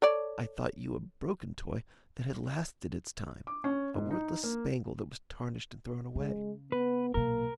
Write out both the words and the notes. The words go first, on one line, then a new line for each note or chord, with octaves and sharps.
I thought you a broken toy that had lasted its time; a worthless spangle that was tarnished, and thrown away.
A4 C#5 D5
D6
C#4
G#2
D#4
A#3
C#3 G#3
B3 B4
B1 A#2 A#3 A#4